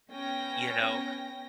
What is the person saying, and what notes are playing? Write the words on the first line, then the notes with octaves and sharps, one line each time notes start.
you know,
B3 C#4 G5 A#6